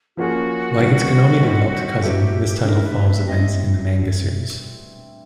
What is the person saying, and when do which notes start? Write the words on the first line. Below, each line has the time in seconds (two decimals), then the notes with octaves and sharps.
Like its Konami developed cousin, this title follows events in the Manga series.
0.17 F3 A#3 C#4 F4 F#4 G#4
0.79 D#3 G3 B3
1.41 G3 C4 D#4 G4
2.03 F#3 B3 E4 G4 A4
2.57 B4
2.64 E3 A3 D4 G4 A#4
2.85 B4
3.06 E5
3.26 G3 C4 E4 D#5